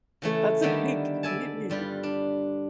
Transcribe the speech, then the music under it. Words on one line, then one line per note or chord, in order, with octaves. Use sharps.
That's a big commitment.
C#3 E3 A3
D3 D#3 G3 A3 B3
A4 D5 E5 G#5 A5
G2 G3 F4 B4
D4